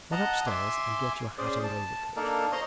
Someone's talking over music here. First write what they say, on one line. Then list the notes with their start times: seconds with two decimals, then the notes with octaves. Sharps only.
"Run upstairs and get your hat and overcoat."
0.12 D#5 F#5 A5 A#5
0.47 E5 G#5 C6 D6
1.38 C#4 G#4 C5 D5
1.64 A5
2.16 A#3 D4 D#4 A4 A#4
2.52 C5 C#5 D#5 A#5 C6